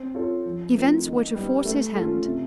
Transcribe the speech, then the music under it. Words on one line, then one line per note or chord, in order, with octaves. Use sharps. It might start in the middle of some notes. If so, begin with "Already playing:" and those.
Events were to force his hand.
Already playing: C4
F4 A4 C#5
F3
A3 C4 F4 A#4
D#3
G3 B3 D#4
A3
C#4 F4 A4
C3